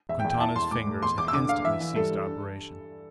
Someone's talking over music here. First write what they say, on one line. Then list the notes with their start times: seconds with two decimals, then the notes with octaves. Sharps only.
Quintana's fingers had instantly ceased operations.
0.09 E2 E5
0.20 G5
0.24 E2
0.30 G5
0.40 E4 A5
0.56 E2 C6
0.71 A2 D6
0.87 A2
1.02 E2 C6
1.18 E2 D6
1.28 E6
1.33 D3 D6
1.49 D3 F5
1.65 E3 E5
1.80 E3
1.95 G2 A4
2.11 G2
2.27 D4